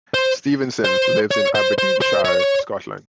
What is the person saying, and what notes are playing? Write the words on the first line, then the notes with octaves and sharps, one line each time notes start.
Stevenson lives in Aberdeenshire, Scotland.
C5
C5
C#5
C5
C5
C5
C#5